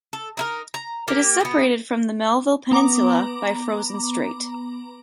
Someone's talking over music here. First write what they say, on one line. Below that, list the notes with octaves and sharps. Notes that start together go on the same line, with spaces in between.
It is separated from the Melville Peninsula by Frozen Strait.
A4
D#4 E4 A#4
A#5
A#3 G4
B2 B3
B3 A#5 D6